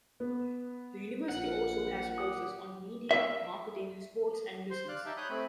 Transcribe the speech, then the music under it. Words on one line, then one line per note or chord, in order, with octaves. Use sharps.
The university also has courses on media, marketing, sports and business.
B3
A#1 F4 A#4 F#5
G4 D#6
E5
C5 C6
D5 F5 F#6
D#4 G4 E5 G5 A5
C#5 B5 D#6 F#6 G6
A3 C4 B5